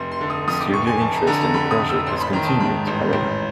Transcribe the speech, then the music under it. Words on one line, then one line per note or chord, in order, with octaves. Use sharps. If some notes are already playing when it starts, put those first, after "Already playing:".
Studio interest in the project has continued, however.
Already playing: F1 C6
C6
D3
D#6
F2 D#6
D6
F1 C#6
G#5
F1 A5
A#5
D3 A#5
A#5
F2 B5
D#6
F1
E6
A1 C6
B5
D#3 A#5
A5
G#2 B5
A1
A1